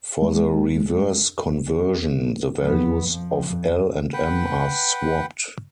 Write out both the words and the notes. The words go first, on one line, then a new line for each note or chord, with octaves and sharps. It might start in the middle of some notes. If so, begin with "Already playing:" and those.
For the reverse conversion, the values of L and M are swapped.
G#3
F2 B3
F3
F2
B4 F#5 G5